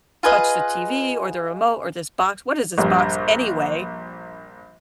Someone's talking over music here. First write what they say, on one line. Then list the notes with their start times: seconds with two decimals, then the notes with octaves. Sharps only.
touch the TV or the remote or this box? What is this box anyway?"
0.23 F4 G#4 B4 D#5
2.78 A#1 G2